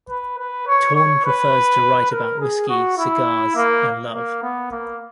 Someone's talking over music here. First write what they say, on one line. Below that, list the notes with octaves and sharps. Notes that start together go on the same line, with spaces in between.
Torn prefers to write about whisky, cigars and love.
B4
B4
C#5
C#5
B4
A#4
G#4
F#4
E4
A#3
A#3
B3
A#3